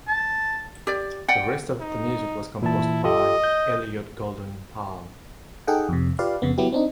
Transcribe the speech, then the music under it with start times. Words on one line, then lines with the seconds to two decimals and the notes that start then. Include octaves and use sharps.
The rest of the music was composed by Elliot Goldenthal.
0.07 A5
0.87 G4 D5
1.28 D5 F#5 G5
1.81 D#4
2.62 A#2 E3 E4 A5
3.04 F4 G4 A4 D#5
3.44 G6
5.67 D#4 G#4 A4 F#5 G5
5.89 F2 C3
6.19 F4 G4 B4 D5 F5
6.42 F2 C#3 B3
6.58 F#3 B3 E4 G4
6.73 C4 D4 D#4